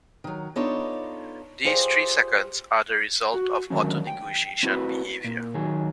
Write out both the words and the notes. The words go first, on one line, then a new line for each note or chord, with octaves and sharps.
These three seconds are a result of the autonegotiation behavior.
D#3 F#3
B3 D4 D#4 F4 A4 C#5
F4 G4 G#4 C5 D5
F#4
D3 D#3 F#3 G#3 A3 C#4
G5
C4 E4 F#4 B4
A#2
D#3 F#3 G#4